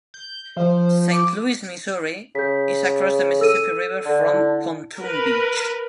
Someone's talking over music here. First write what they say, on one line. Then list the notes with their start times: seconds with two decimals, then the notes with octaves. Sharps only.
Saint Louis Missouri is across the Mississippi River from Pontoon Beach.
0.14 G6
0.57 F3 C5
1.11 D6
2.35 C#3 G6 B6
3.39 A4 E6 D#7
4.05 D3
4.33 E4
4.96 A#4 B4